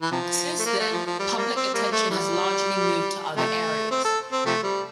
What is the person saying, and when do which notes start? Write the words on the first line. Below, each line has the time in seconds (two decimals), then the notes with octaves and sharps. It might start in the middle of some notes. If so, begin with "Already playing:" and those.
Since then, public attention has largely moved to other areas.
0.02 E3
0.11 C3 F3
0.59 A3
0.66 A#3
0.79 A3
0.92 F3
1.06 F3
1.19 G3
1.37 G3 A#3
1.56 C4
1.74 G3 A#3
1.92 A3
2.11 E3 G3
3.37 C3 F3 A3
3.91 C4
4.05 A4
4.32 C4
4.46 C3 F3 A3
4.63 G3